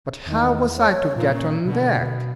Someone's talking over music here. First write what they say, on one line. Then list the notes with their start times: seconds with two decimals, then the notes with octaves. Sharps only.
But how was I to get on deck?
0.26 E2 D#3
0.77 C#5
1.16 A#2 F3
1.34 C#4
1.65 B2 D3